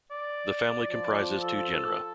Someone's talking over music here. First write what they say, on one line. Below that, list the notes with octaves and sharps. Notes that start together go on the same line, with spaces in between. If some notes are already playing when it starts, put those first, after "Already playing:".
The family comprises two genera.
D5
F3
A4